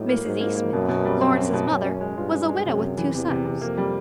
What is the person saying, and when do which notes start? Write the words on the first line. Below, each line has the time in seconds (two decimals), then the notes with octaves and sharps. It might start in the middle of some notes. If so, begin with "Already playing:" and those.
Mrs. Eastman, Lawrence's mother, was a widow with two sons.
Already playing: A2 F#3 G3 D#4
0.09 A#3
0.24 G#2 F#3
0.41 A#3
0.56 A#3
0.73 F#2 B2
0.89 B2
1.05 G3
1.21 C4
1.37 C4
1.53 B2
1.69 F#2 C#4
1.85 C#4
2.01 G#3
2.17 G2 F4
2.33 G#3
2.49 G#3
2.65 F#2 C3
2.81 C3
2.98 E3
3.13 E2 C3
3.30 C3
3.45 C3
3.61 F2 A#3
3.77 G3